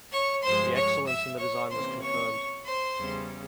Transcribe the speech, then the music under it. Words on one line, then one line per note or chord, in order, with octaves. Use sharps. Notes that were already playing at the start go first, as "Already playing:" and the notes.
The excellence in the design was confirmed.
C#5 C#6
G2 F3 G#3 C5 C6
C#5 C#6
E5 E6
C#5 C#6
C3 E3 A#3 C#4 C5 C6
C#5 C#6
C5 C6
E2 C#3 G3 C#4